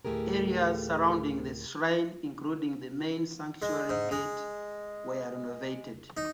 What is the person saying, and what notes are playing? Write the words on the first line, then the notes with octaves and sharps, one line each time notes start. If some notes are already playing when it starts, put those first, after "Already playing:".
Areas surrounding the shrine including the Main Sanctuary Gate, were renovated.
D2 A2 A3 G4 G#4 A#4
G#3
G#2
G#3
D#4